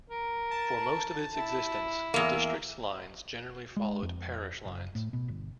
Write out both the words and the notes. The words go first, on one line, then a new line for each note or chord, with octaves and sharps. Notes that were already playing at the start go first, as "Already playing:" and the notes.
For most of its existence, the district's lines generally followed parish lines.
A#4
A5
E4
E2 A#3 E5
G#3
F2
F#1
A2
B2
G1